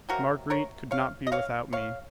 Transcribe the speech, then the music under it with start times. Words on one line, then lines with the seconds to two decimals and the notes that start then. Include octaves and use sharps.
Marguerite could not be without me.
0.09 C3 F#3 A#3 F#4 A#4
0.50 A#4 C#5
0.91 C#5 F5
1.27 D#5
1.32 C#5 F5
1.73 C#5 F5